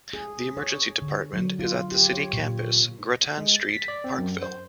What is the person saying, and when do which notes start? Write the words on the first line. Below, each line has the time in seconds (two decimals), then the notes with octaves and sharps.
The emergency department is at the City Campus, Grattan Street, Parkville.
0.13 G#4
0.57 C#5
1.02 D3
1.34 F#3
1.59 F4
1.92 G4
2.13 C#5
2.33 A#2
3.38 G#3
3.56 A6
3.74 B6
3.88 D5
4.04 C4
4.18 F#2
4.42 C5